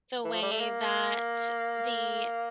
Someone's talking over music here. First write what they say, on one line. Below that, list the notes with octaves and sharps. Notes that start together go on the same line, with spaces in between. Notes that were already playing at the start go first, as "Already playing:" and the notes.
the way that the
E3
F3
G3
A3
A#3